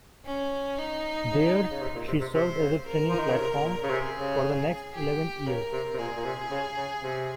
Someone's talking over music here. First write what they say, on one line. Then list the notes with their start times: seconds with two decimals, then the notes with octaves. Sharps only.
There she served as a training platform for the next eleven years.
0.25 C#4
0.78 D#4
1.30 C#3
1.70 C#3
1.82 C3
1.95 A#2
2.08 C3
2.21 C3
2.34 C3 C5
2.60 C#3
2.87 A#4
3.09 F3
3.19 D#3
3.29 C#3
3.38 C3
3.64 A#2
3.83 C#3
3.90 C3 G#4
4.16 C#3
4.94 G4
5.46 C#3 A#4
5.73 C3
5.94 C3
5.98 A#2 G#4
6.16 A#2
6.24 C3
6.51 C#3
6.77 C#3
7.02 C3